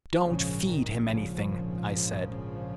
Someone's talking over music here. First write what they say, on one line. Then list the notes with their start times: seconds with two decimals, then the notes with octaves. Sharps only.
"Don't feed him anything," I said.
0.23 A#1 G#2 C#3 F3
0.65 D#3
1.07 C#3 F3